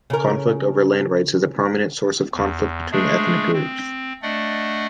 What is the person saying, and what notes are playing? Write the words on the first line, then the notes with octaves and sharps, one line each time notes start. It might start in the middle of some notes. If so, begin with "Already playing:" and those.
Conflict over land rights is a prominent source of conflict between ethnic groups.
C#3 A#4
E2
G#3 A3 D4 G#4
C4
A3 D4 D5 D#5 F#5